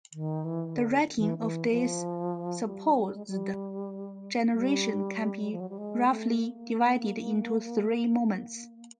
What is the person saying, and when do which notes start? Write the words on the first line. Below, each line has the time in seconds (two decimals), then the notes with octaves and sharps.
The writing of this supposed generation can be roughly divided into three moments.
0.13 D#3
0.44 E3
0.76 D3
1.18 E3
1.38 E3
1.70 F3
2.65 G3
2.95 G3
3.16 G#3
3.27 G3
4.52 G3
5.52 F3
5.60 F#3
5.69 G3
5.78 G#3
6.05 A#3
6.09 A3
6.41 A#3